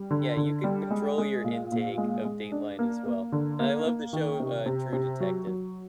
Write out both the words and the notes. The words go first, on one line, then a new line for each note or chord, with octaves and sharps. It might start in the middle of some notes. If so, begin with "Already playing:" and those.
Yeah, you can control your intake of Dateline as well, and I love the show, uh, True Detective.
Already playing: G3
D3
D3
G3
G#3
G#3
A#2
A#2
G#3
G#3
D4
A#3
A#3
D3
A#3
A#3
D#3
C3
C3
C3
F#3
F#3